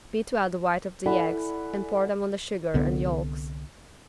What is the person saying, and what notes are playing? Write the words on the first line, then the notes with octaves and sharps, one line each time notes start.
Beat well the white of the eggs and pour them on the sugar and yolks.
E4 A4 D5 F#5 G#5 B5
C2 D3 B3